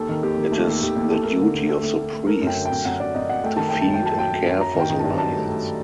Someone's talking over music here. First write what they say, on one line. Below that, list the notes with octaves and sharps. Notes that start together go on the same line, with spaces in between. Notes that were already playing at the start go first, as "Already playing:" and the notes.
It is the duty of the priests to feed and care for the lions.
Already playing: D#2 A4
D#3
D#2 G4
D#3
A3 A4
D#2
D#2 G4
D#2
A3 A4
A3 A#4
A4
D3
D2
A3 A4
A3
A3
A3
A3 A#4
F#2
G5
D3
G5
F#2
F#2 F#5
F#2 D5
F#2 D#5
F#2 F#5
A3 G5
D#3 A5
A3 G5
A5
F#2
G5
F#3 A5
F#3 G5
F#3
F#2
F#3 A#5
D#3 G5
D#3
G2 A5
F#3 A5
A3
A3